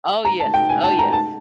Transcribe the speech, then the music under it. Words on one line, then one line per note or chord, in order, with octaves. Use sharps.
Oh, yes. Oh, yes.
A#5
A5
G5
G#5
A5
A#5
A5